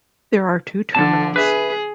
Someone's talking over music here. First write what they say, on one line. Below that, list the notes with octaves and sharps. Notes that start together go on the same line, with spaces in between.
There are two terminals.
D3 A4 A5
G#4 B4 E5